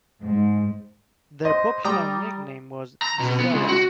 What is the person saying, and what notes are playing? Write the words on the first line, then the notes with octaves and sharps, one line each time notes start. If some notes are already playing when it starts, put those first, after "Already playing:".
Their popular nickname was "Gisela".
G#2
C5 D#5
G3 D5 G5 A#5 D#6
A#5
B2
B3
C#2
F#4